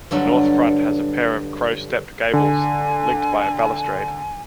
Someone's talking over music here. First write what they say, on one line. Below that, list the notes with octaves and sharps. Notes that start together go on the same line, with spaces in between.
The north front has a pair of crow-stepped gables, linked by a balustrade.
G2 D3 F#3
D3 G#5